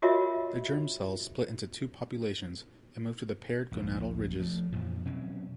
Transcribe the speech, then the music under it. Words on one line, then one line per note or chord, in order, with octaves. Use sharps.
The germ cells split into two populations and move to the paired gonadal ridges.
F4 F#4 A#4 C#5 D#5 E5
A#1 D#2
F3 A3
F2 A#2 E3 F3
B2 F#3 C4 C#4